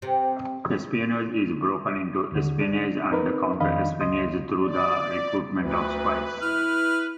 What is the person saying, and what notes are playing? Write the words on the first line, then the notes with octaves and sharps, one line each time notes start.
Espionage is broken into espionage and counter-espionage through the recruitment of spies.
C3
D#2 D3
D4
C4 D#4 A#4 B4
F2 D#3 D4 D#5 F5 B5
C#2 D#5 C6 D#6
D5
D2 B4
E4 F6